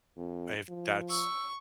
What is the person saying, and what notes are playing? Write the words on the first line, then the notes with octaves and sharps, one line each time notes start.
If that's
F2
F3
C#6 E6